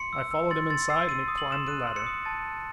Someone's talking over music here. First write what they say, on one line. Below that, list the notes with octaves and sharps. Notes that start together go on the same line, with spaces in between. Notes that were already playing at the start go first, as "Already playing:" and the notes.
I followed him inside and he climbed the ladder.
Already playing: C6 C#7
E6
E6
C6 A6
C6 A6
E6 C7
C6 D#7
D#6
F#7
C6 E7
F#6 D#7
C6
C#7
D#6
A5 A6
D#6